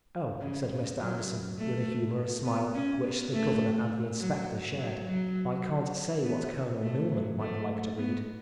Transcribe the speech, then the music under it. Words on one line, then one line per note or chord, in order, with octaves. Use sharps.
"Oh," said Mr. Anderson, with a humorous smile, which the Governor and the Inspector shared, "I can't say what Colonel Milman might like to read."
C#3
C#3
F#3
A3
B3
C#4
B3
A3
F#3
F#3
F#3
B3
A3
F#3
A3
B3